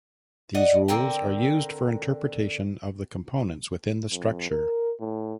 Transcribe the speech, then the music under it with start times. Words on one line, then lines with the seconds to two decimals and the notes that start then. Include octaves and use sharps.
These rules are used for interpretation of the components within the structure.
0.54 D5 D#5 F#5
0.88 D3 C4 A#4 G5
4.12 F2
4.51 A#4
5.00 A2